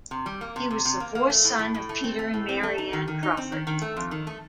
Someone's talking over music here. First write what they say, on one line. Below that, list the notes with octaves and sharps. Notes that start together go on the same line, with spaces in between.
He was the fourth son of Peter and Mary Ann Crawford.
C3
G3
A#3
C3
C3
C3
A#3
A#3
A3
A2
A2
A2
A3
C4
A3
A2
C4
A3
D#4
D#3
D#3
D#4
C4
D#3
D#3
A3
F2
D#3
A3